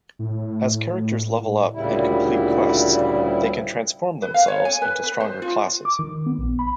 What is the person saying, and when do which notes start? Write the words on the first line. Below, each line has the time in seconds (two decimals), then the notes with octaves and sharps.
As characters level up and complete quests, they can transform themselves into stronger classes.
0.19 A2
1.73 D2 A#2 C#3 G3 E4
4.22 B4
4.34 F5
4.48 C#5
4.65 G#5
4.82 B4
5.03 B4
5.20 C5
5.42 F4
5.85 D6
5.99 D#3
6.26 B3
6.38 A#1
6.59 B5